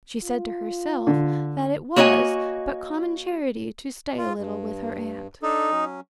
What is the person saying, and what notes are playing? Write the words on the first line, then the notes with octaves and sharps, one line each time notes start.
She said to herself that it was but common charity to stay a little with her aunt.
F4
D3
A#3 F#4 C#5 D#5 E5 G#5
F4
G2
D4 D#4 A4
F#3 C#4